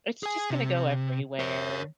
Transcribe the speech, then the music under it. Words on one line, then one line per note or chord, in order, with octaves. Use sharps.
It's just gonna go everywhere.
G#4 G#5
C3
A#4 C#5